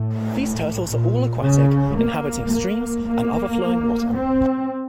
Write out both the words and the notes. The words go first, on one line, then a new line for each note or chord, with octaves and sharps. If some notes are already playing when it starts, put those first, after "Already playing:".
These turtles are all aquatic, inhabiting streams and other flowing water.
Already playing: A2
A#2
C#3
A#3
A#3
A#3
C4